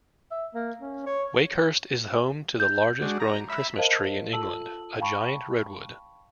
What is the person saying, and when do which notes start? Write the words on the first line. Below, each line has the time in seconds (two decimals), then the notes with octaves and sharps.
Wakehurst is home to the largest growing Christmas tree in England, a giant redwood.
0.31 E5
0.54 A#3
0.82 C#4
1.06 C#5
2.60 G6
3.02 G#3 D4 F#4
3.20 A#5
3.50 E5 B5
3.78 A#4 C5 D#5 F5 A5
4.33 F4 A4 A5 E6 F#7
5.00 F5 G5 A5 B5 C#6